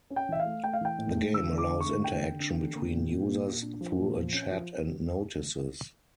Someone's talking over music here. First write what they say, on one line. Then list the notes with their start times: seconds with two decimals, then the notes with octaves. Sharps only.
The game allows interaction between users through a chat and notices.
0.10 C#4
0.16 G5
0.29 E3 E5
0.40 F5
0.45 A3
0.64 A3 G5
0.73 F5
0.81 E3 G5
0.98 A2
1.17 A3
1.33 D3 E6
1.51 D3
1.58 D6
1.69 D3
1.81 C#6
1.86 A3
2.04 D3 G5
2.22 D3
2.40 D4
2.57 D3
2.75 A#3
2.93 A#2
3.09 A#2
3.28 A#3
3.46 A#2
3.62 D4
3.81 F3
3.98 A#2
4.15 F3
4.33 C#4
4.50 F3